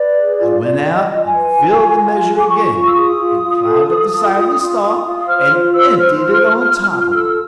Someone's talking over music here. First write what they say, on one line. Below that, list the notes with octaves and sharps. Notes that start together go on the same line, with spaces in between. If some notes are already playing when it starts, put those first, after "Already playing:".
I went out and filled the measure again, and climbed up the side of the stall and emptied it on top of him.
Already playing: B4 D5
G#4
F4
F4 D5
F4
D#5
F4
G#5
B4
F4
F4
F4
G#4
D6
F4 C#6
F4
E6
G#4 D#6
F4
F4
A4
A4
F4
F4
F4
F4
F4
C5 F6
F4
C5 E6
C5 F6
F4
F4
F4
F4
A4 E6